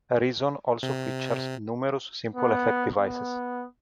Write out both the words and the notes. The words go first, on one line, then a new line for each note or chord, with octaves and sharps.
Reason also features numerous simple effect devices.
C3
B3
B3